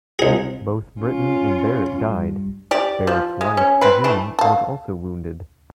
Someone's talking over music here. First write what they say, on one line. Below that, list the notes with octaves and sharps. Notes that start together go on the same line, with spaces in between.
Both Britton and Barrett died; Barrett's wife, June, was also wounded.
C2 G#4
C#4 F4
G2
G4 D5
F3
G#3
C#4
C4 B4
E3 A3 D4
F5 A5